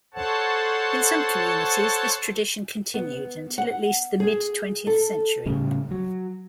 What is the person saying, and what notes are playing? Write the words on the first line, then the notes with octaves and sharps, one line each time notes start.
In some communities this tradition continued until at least the mid-twentieth century.
A4 C5 C#5 F#5 A5
B3
F#5
G#4
A4
A2 C#3 G3
F#3